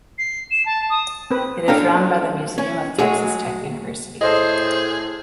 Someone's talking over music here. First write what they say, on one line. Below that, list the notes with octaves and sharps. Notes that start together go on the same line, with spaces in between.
It is run by the Museum of Texas Tech University.
C7
E7
A5
D#6
C4 B4
C#4 D4 A4 F5 G5 A#5
C#4
F#3 G#3 A3 F#4 G#4
A2 G#4 A4 C5 D#5